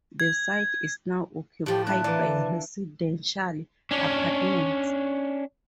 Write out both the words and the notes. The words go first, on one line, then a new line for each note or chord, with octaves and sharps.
The site is now occupied by residential apartments.
G#6
A2 F3 G4
D4 E5 A5 F#6
E3 A#3 B4 D5
C#4 D4